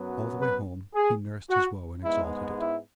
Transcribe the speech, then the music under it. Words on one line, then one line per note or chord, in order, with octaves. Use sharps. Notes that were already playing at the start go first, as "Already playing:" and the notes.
All the way home he nursed his woe and exalted it.
Already playing: F#2 F#3 B3
B4
G#4
F#4
G#2 G#3 B3 E4
E4